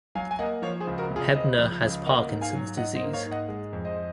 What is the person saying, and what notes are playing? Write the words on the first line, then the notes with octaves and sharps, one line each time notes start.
Hebner has Parkinson's disease.
F#3 F5 G#5
G#5
A#3 D#5 F#5
F3 C#5 F5
G#4 C5
C#2
F#4 A#4
C3
F4 G#4
C#2 C5 D#5
F3
C#2
A#3 D#5 F#5
G#2
F5 G#5
F#3
G#2 D#5 F#5
C5 D#5
A#3
C#5 F5
G#2
D#5 F#5
G#3
F2
C5 D#5